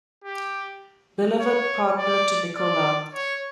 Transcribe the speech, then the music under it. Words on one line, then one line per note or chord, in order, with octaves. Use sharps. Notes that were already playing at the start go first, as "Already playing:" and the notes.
Beloved partner to Nicola.
G4
C#5
D5
D5
C#5